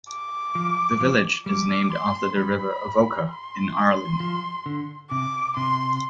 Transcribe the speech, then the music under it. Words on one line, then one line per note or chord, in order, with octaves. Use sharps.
The village is named after the River Avoca, in Ireland.
D6
F3
F3
G3 D6
C6
G3 B5
C6
F3
D3
C3 D6
C3 C6